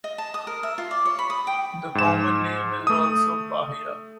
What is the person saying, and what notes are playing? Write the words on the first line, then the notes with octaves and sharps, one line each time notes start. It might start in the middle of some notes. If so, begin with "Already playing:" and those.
The common name is also bahia.
D#5
A5
D#6
A#4
E5
F4
D5
C#5
B5
D#6
G5
G#2 E7
A3 D#6